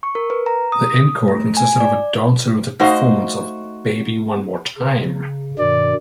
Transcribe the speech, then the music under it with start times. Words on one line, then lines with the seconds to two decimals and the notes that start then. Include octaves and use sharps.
The encore consisted of a dance-oriented performance of "...Baby One More Time".
0.03 C#6
0.15 A#4
0.30 B4
0.46 A#5
0.72 D#6
1.28 A3
1.57 G#5
1.80 D5
2.79 A3 D#4 F#4 C5 D#5 F5
4.78 C#3
5.59 G2 B2 D#3 D5